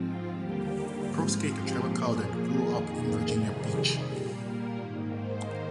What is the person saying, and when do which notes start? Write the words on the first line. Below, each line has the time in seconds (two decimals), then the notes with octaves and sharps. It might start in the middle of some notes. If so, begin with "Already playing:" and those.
Pro skateboarder Trevor Colden grew up in Virginia Beach.
Already playing: G#2 F3 C4 F4
0.30 D#2 D3 G3 A#3 G4
1.05 G#2 F3 G#3 C4 F4
1.41 G4
1.78 A#2 F3 A#3 G#4
2.52 F2 D#3 A#3 G#4
3.27 F2 C3 D#3 G3 G#4
4.01 A#2 G3 A#3
4.38 A#4
4.76 G#2 D#3 A#3
5.12 C5